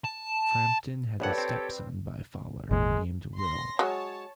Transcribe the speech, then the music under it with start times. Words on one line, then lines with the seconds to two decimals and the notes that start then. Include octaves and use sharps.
Frampton had a stepson by Faller named Will.
0.04 A5
1.20 A#1 G2 G4 A4 B4 C#5 D5 F#5
1.38 C4
2.71 G#1 E2 A#2 G#3
3.36 C6 A#6
3.79 F#3 G#3 C#5 A5